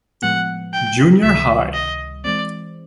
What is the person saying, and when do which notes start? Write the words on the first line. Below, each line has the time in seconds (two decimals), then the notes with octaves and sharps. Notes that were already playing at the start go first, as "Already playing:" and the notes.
Junior High.
0.22 A2 F3 G#3 B3 F#5
0.73 G5
1.23 C#2 C3 D#3 G3 E5
1.74 D#5
2.25 E3 G#3 C4 D5